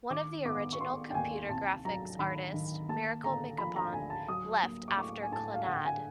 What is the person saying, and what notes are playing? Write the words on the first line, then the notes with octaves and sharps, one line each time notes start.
One of the original computer graphics artists, Miracle Mikipon, left after "Clannad".
D#3 D6
B3 D6
C#6
B3 C6
G5
D#2 G#5
C2 A5
F#3 A#5
D#3 B5
D#3
A#3 A5
D3 A#5
F3 B5
A#5
D2 G#5
A5
F#3 D#6
A#3
D6
A2 C#6
G#5
A2 A5
F5
D3 F#5
G5
G#5